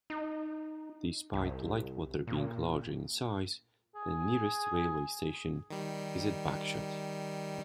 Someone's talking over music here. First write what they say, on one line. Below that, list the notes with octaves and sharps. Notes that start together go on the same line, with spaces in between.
Despite Lightwater being larger in size, the nearest railway station is at Bagshot.
D#4
C2
A#2
G#4
D#3 G3